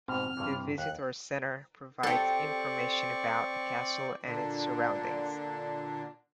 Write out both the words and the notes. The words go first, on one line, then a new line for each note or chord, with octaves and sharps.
A visitors centre provides information about the castle and its surroundings.
G#2 B2 C4 F6
G2 C3 E3
D#2 F#6
C4 G4 A4 D5 C#6
A#2 D3 D4